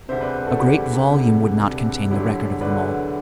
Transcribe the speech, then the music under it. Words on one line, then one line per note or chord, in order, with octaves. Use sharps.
A great volume would not contain the record of them all.
E1 D2 C3 C5 E5
B4 D5
F#4 A4
E1 D2 C3 E4 G4
E1 D2 C3
E1 D2 C3
E1 D2 D3 F#3 E4 G4
E1 D2 D3 F#3 B4 D5